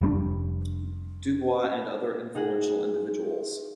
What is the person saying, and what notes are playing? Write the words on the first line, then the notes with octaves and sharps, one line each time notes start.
Du Bois and other influential individuals.
F1 G3 C4 D4
D#4 F#4 G#4 F#5